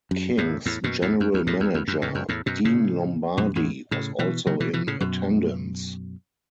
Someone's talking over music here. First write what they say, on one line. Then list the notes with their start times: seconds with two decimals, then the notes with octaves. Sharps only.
Kings general manager Dean Lombardi was also in attendance.
0.11 F#2
0.38 E2 A2
0.66 E2 A2
0.84 F#2 B2
1.02 E2 A2
1.20 F#2
1.34 E2
1.47 E2 A2
1.60 E2
1.74 E2
1.88 F#2
2.02 E2 A2
2.15 F#2
2.29 E2 A2
2.46 F#2 B2
2.65 A2 C#3
3.37 F#2 B2
3.56 E2 A2
3.91 A2 C#3
4.19 B2 E3
4.47 C#3 F#3
4.60 B2 E3
4.73 B2 E3
4.87 A2 C#3
5.00 F#2 B2